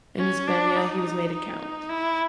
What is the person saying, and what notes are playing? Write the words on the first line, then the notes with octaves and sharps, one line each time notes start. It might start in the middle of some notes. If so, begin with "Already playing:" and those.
In Hispania he was made a count.
C#4
D4
D#4
D#4
E4